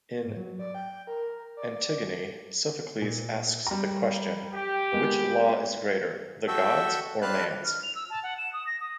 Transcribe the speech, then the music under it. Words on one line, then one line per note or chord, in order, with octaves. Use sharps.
In "Antigone", Sophocles asks the question, which law is greater: the gods' or man's.
G#2
F#3
D5
G5
A#4
D5
A#2
G3 A#5
G4
G#3 A#3 B3
F#4 A4 E5 G5
C4 D4 B4 F5 A5 F#6
F6
F7
E6
A5
F#5
E7
D#6
A#6
D#6